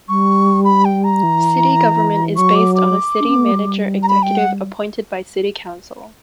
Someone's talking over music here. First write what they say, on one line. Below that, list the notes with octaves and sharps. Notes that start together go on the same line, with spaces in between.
City government is based on a city manager executive appointed by city council.
G3 C#6
B5
G5
A#5
E3
F#3 C#6
D6
D6
D4
C#4
B3
A#3
G3
A#5
B5
G5
F#5